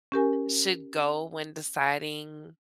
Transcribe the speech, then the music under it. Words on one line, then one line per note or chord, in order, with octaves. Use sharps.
should go when deciding
C#4 G4 A#4 G#5